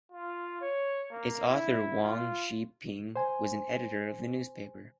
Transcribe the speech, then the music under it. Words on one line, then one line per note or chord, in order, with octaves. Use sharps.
Its author Wong Shee Ping was an editor of the newspaper.
F4
C#5
A#3
E4
F4
C5 G#5